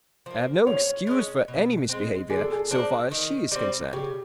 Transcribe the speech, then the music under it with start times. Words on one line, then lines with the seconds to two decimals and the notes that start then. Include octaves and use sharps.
I have no excuse for any misbehaviour--so far as she is concerned.
0.26 F3 A#3
0.67 F3 C#5
1.07 G#3 C#4
1.48 B2
1.89 G#3 C4
2.29 D3 G#4
2.41 A4
2.52 G#4
2.71 F3 A#3 D4
3.12 D#3
3.52 G3 C4
3.93 C#3 G4